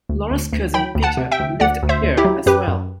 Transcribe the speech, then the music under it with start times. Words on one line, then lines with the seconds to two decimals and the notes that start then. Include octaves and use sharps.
Laura's cousin Peter lived here as well.
0.09 D2
0.31 D2
0.53 D2
0.74 F#3 G5 B5
0.95 D2
1.03 F#5 A5
1.17 C3
1.32 E5 G5
1.40 D2
1.60 D2 D5 F#5
1.83 D2
1.89 C5 E5
2.04 D2
2.17 E4 G4
2.25 F#3
2.46 F#2 G4 B4
2.68 F#2